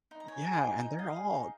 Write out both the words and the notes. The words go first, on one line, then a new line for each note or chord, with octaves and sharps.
Yeah, and they're all
D#4
A#5
C#5 G#5
G#4
D#4
D#4
D#5 F5
G#4
D#4